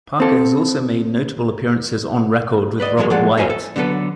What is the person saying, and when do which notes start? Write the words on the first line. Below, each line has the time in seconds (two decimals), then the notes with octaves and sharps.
Parker has also made notable appearances on record with Robert Wyatt.
0.20 C4 A4
2.80 B4 D5 D#5
2.97 G2 B2 E3 F#3 G#3 A#3
3.10 F3 G#3 D5 F#5
3.37 C#2 A#3 F#4 C5 D#5 G#5
3.50 A4
3.76 D3 F#3 B3 A4 B4